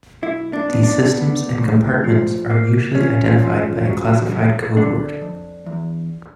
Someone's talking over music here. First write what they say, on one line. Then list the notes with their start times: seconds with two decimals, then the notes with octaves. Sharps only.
These systems and compartments are usually identified by a classified codeword.
0.22 B1 E4
0.53 D4
0.68 B3
0.83 D4
1.14 B3
1.59 A2
2.04 F3
2.50 A#3
2.94 F3 C#4
3.40 F3
3.86 F#3
4.31 F2
4.77 D3 D4
5.22 F2
5.66 E2